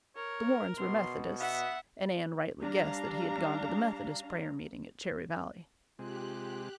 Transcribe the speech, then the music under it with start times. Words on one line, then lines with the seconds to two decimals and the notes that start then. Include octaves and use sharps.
The Warrens were Methodists and Anne rightly guessed that he had gone to the Methodist prayer meeting at Cherry Valley.
0.16 A#4 C#5
0.78 B2 C6
1.40 B3 E5 F#5
2.62 G3 D4 F5 A#5
5.99 C3 G#3 F4 G4 F#6